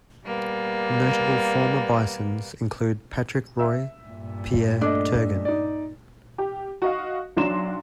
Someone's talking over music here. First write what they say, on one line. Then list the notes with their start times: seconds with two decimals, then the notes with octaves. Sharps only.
Notable former Bisons include Patrick Roy, Pierre Turgeon.
0.25 G3 A#3 B3
3.59 E5 E6
4.07 G2 A#2
4.81 A3 D4 D#5
5.45 D#4 D5
6.38 G4
6.82 F#4 D#5 F5
7.37 B1 F#3 D4 C6 E7